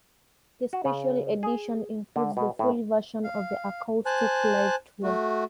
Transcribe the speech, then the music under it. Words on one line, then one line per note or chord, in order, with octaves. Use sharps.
The Special Edition includes the full version of the acoustic live tour.
F#4
C#3
G#4
D3
B2
A2
F5
C5 G#5 A5 F#6
A3 F#4